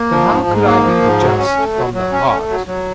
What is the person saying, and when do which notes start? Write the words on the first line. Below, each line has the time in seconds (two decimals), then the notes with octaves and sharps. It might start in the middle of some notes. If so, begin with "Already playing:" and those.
But how could I be just from the heart!
Already playing: A#3
0.10 F3
0.29 G#2
0.47 G#2
0.65 A#3
0.84 F3
1.02 G#2
1.20 F#3
1.39 C#4
1.57 A3
1.75 F#3
1.94 F#3
2.12 C#4
2.30 A3
2.49 F#3
2.67 F#3